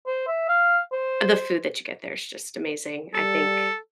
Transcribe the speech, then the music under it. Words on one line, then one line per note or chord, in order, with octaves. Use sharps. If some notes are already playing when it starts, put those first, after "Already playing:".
the food that you get there is just amazing, I think.
C5
E5
F5
C5
G3 A4